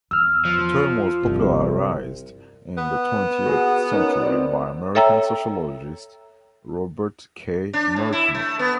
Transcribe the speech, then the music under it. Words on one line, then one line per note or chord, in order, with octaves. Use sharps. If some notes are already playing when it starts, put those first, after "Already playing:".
The term was popularised in the twentieth century by American sociologist Robert K. Merton.
E2 E6 F6
F3
G1 C2 C4
B3
F#4 G#4
C#4 D#4 A#4
C4 D5
A4 C#5 E5 G5 A#5 E6
D4
A2
E4
A3
B3